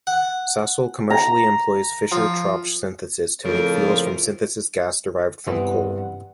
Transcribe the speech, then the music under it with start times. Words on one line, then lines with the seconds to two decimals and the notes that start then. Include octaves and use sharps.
Sasol commercially employs Fischer-Tropsch synthesis to make fuels from synthesis gas derived from coal.
0.07 F#5
1.10 A#5
2.12 F3
3.44 F2 A2 C#3 F3 A#4
5.47 G2 C3 E3 G3 B3 C4 F#5